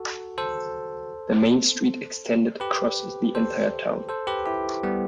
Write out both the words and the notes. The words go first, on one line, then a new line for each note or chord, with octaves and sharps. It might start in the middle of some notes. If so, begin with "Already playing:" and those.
The Main Street extended across the entire town.
Already playing: F#4 A4
A4 C5
G4 B4
A4 C5
A4 C5
G4 B4
E4 G4
G3 B3